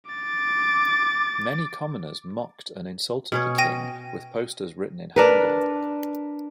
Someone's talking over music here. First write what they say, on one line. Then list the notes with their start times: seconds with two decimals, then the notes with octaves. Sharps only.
Many commoners mocked and insulted the king with posters written in hangul.
0.11 D6 A6
3.32 B2 C#4 C#5
3.58 G5 A#6 D#7
5.16 D4 A#4 B4